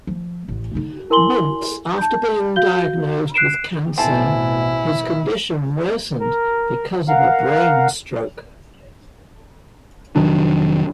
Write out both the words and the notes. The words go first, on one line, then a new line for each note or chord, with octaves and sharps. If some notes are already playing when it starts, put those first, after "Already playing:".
Months after being diagnosed with cancer, his condition worsened because of a brain stroke.
F3
A1
D3 D#4
E4 A#4 G#5 C6 F#7 G7
A5 G6
F#4 F5 G6 G7
F#6 C7 D7 E7
A1 B2 C4 E4 A4 G#5
A#4
A#4 F5 F#5
F1 D#3 F#3 D4